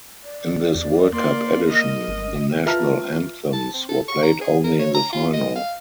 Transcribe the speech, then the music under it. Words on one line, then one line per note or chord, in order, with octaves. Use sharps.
In this World Cup edition, the national anthems were played only in the final.
D5
E2
A#3 A#4 D5 C6
D#5
G1
F4 B4 E5 A5 A#5 F6
A5
C4
A4
C#6
A#5
G#4
A#4
C#5
A#5
F4
D#5
F5